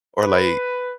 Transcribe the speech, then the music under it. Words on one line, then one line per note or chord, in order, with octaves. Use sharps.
or, like,
B4